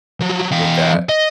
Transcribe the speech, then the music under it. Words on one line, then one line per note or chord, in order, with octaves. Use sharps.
with that.
F3 F#3
E2 F5
D#5